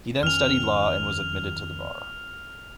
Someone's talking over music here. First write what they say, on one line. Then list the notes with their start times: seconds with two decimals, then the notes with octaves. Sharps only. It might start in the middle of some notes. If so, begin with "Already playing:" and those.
He then studied law and was admitted to the bar.
0.23 F2 D#3 C#4 F6 F7